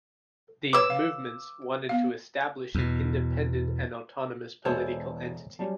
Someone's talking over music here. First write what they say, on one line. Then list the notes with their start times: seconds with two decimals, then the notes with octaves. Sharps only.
These movements wanted to establish an independent and autonomous political entity.
0.73 B4 C#5 D6 E6
0.90 F5
1.89 B3 F5
2.75 E2 B2
4.65 E1 E3 G#3 E4 A4 C5 C#5 A5
5.59 F#3 G3 C#4 A5